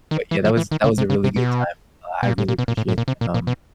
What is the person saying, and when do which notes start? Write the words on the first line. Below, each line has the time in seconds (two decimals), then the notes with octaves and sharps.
But yeah, that was that was a really good time. Uh, I really appreciate that, um,
0.11 D#3
0.31 E3
0.45 F3
0.57 E3
0.72 D#3
0.84 C#3
0.98 C3
1.10 C#3
1.24 C3
1.36 B2
2.23 B2
2.28 A#2
2.38 A2
2.48 A#2
2.59 B2
2.68 A#2
2.77 A2
2.88 A2
2.98 A#2
3.08 C3
3.21 A#2
3.34 A#2
3.47 B2